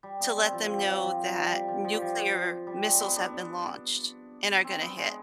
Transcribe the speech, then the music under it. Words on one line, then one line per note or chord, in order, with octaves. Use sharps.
to let them know that nuclear missiles have been launched and are gonna hit.
G3
B3
C4
F3
G3
F3
G3
F3
G3
G3
F3
F3
G3
F3
G3
G#3
B3
D4
C4
B3
G#3